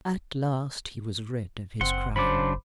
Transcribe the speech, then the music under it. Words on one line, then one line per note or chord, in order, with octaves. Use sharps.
At last he was rid of his crime.
F#1 C4 F#5 C6
C#3 F#3 D4 C5 B5 D6